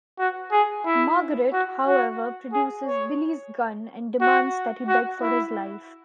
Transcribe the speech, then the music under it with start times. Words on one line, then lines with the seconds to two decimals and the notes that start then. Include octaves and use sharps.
Margaret, however, produces Billy's gun and demands that he beg for his life.
0.19 F#4
0.52 G#4
0.86 E4
1.53 F#4
1.87 F#4
2.53 G#4
2.86 C#5
4.21 F#4
4.88 F#4
5.22 E4